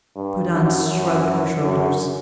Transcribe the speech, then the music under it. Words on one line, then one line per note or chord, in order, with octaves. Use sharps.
Prudence shrugged her shoulders.
G2
F#2
F#2
F#2